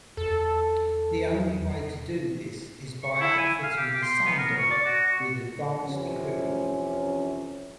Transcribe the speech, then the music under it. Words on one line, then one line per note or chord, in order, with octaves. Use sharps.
The only way to do this is by outfitting the SunDog with advanced equipment.
E2 A4
C#6
E4
G#5
F5
G4
C6
B3
A#4
C#6
D5
F#4
C#6
F2 C3 E3 C#4